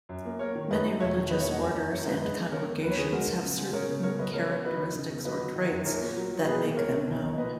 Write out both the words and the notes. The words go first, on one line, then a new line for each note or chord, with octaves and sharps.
Many religious orders and congregations have certain characteristics or traits that make them known.
F#2
A#3
A#3 A#4 C#5
D#3
F#2 B4 D#5
F#3
E1 C#5 E5
D#3
E1 B4 D#5
C#5 E5
A#3
D#5 F#5
F#2 E5 G#5
F#2
F#2 C#5 E5
G#3 B4 D#5
G#3 B4 D#5
B3
D#3 A#4 C#5
E2
D#2 B4
C#5
C#3 G#4 B4
G#3 F#4 A#4
G#3
C#3
G#3
C#3 A#4 C#5
C#3
B3 A#4 C#5
C#2 B4 D#5
C#3 A#4 C#5
B3 A#4 C#5
F#3 B4 D#5
E2
C#3
E2
F#3 B4 D#5
F#3
D#3
F#2
A#1 A#4 C#5
A#3
F#3
F#3
B2 G#4 B4
A#3
C#2 A#4 C#5
B2
B1
B1
A#2 B4 D#5